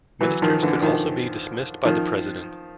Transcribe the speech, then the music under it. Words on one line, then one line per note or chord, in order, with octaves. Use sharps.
Ministers could also be dismissed by the President.
E3 F#3
D#3 F3
D3 E3
D#3 F3
D#3 F3